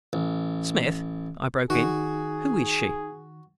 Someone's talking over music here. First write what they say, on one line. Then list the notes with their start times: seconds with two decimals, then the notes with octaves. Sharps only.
"Smith," I broke in, "who is she?"
0.13 A1
1.70 D#3 D#4 F#4 G#4